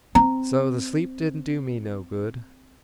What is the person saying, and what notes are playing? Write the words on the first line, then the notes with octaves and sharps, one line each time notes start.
So the sleep didn't do me no good.
C4 A#5